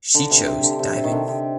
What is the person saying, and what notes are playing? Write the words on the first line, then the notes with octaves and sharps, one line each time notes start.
She chose diving.
D3
C3
C3
D3
C3
C3
D#3
D3
C3